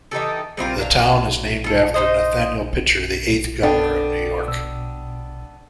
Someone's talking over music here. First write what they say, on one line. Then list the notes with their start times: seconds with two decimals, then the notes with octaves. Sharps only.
The town is named after Nathaniel Pitcher, the eighth governor of New York.
0.11 E3 D#4 G4 A4
0.57 G3 C4 F4 A#4
0.78 F#3 D4 F5
1.64 F4 A4
1.94 D#4 C5 D#5
3.63 B3 D4 A4 G5
4.48 B2 E6